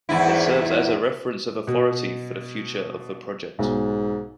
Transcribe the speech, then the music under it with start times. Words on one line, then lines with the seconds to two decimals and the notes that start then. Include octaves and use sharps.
It serves as a reference of authority for the future of the project.
0.09 E2 G#2 E4
1.67 B2
3.59 B1 G#2